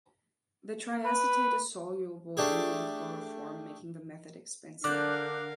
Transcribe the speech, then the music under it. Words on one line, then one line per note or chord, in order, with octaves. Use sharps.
The triacetate is soluble only in chloroform making the method expensive.
B4
A3 D4 G4 G#4
D3 D4 A#4 F5 D6 F#6 G6